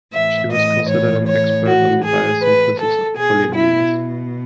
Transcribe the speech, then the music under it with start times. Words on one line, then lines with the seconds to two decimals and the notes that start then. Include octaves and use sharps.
She was considered an expert on the biosynthesis of polyamines.
0.13 A2 E3 E5
0.51 D#5
0.89 C#5
1.27 C#5
1.66 F#4
2.03 G#4
2.42 B4
2.79 A4
3.17 B2 G#4
3.55 E4